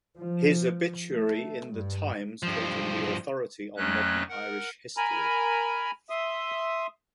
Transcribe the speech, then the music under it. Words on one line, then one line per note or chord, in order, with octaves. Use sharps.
His obituary in "The Times" called him "the authority on modern Irish history".
F3
A3
G2
G2 F3
F2 F#3 A3 C#4 F#6
A#4 F#5
A#4 G#5 A#5 B5
E5 C6 D#6